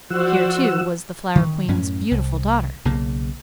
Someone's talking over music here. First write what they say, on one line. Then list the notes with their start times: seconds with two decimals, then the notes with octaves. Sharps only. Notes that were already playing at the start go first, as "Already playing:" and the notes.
Here, too, was the Flower Queen's beautiful daughter.
0.10 F3 F#4 C5 D5 F#5 E6
1.35 D#3
1.68 F#2 A2 C#4
2.11 C2
2.85 B1 C#3 A#3